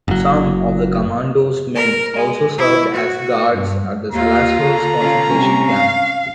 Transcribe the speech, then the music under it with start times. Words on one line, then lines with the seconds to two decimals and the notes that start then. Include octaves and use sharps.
Some of the commando's men also served as guards at the Salaspils concentration camp.
0.08 F#1 F#3
1.76 A#4
2.15 G#3
2.58 E4
2.94 F#4
3.52 G2
4.12 D#2 A#3 F4 A#5
4.59 D3
5.00 C#4 F4
5.30 C3 G3 C#4
5.67 F5